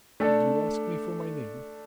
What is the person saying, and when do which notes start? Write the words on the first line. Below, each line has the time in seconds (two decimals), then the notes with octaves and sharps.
"Did you ask me for my name?"
0.20 A3 D4 A4 D5